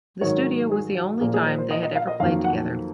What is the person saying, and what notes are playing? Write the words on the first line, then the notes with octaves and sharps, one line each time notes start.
The studio was the only time they had ever played together.
G#2 D#3 F#3 C#5
G#4
F#4
A#2 F3 A#3 G#4
G#4
C5
C5
D#5
D#5
F5
D#5
F2 D#3 F#3 A#3 F5
F#5